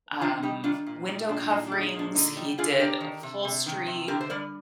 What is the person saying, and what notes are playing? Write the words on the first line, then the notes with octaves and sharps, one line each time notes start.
um, window coverings, he did upholstery,
D#3 D4 F4
G3 D#4 G4
D#3 D4 F4
A#2
G3 D#4
A#2 D4
A#2 D#4
D4
G#3
D#4
A#2
D4
D3 D#4
G3 D#4
D3 F4 G#4
D4 G4 A#4
D#3
C3
C3
D#3
C3
D3 G4 A#4
C5
G3 A#4 D5